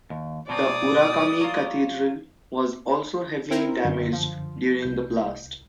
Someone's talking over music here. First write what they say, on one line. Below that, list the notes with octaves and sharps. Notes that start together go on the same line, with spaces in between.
The Urakami Cathedral was also heavily damaged during the blast.
D#2
B2 F#3 C4 D5 D#6
F#3 F4
C4 E4 A#4
F#2 D3
F3
C2 G6